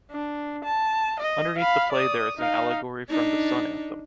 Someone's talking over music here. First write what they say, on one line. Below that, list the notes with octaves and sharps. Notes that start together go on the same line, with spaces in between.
Underneath the play there is an allegory from the “Sun Anthem”.
D4
A5
D#5
F5 B5
D5 D#6
D#4 F5
D4 D#4